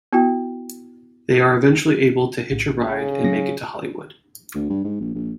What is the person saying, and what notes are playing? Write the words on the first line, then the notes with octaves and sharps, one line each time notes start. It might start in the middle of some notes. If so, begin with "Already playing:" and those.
They are eventually able to hitch a ride and make it to Hollywood.
B3 E4 F#4 G5
A#1 A2
C#3
F#3 C#4 A#6
D2
G2
G#2
A#1
A#1